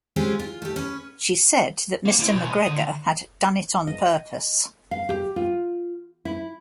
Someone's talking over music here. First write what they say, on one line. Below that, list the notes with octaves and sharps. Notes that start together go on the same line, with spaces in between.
She said that Mr McGregor had "done it on purpose."
G#3 C4 C#4 F4 G4 G#4
F4
A3 G4
C#4 B4
A#3
G3 E4
B1
D#5
D3
D#5
F5
G4
F4
E4